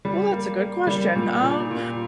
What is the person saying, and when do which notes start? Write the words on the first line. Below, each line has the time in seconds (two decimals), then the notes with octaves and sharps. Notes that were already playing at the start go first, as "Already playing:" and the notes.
Well, that's a good question, um
0.05 G3
0.32 A#3
0.60 A#3
0.87 G3
1.15 A#2
1.43 A#2
1.71 A#2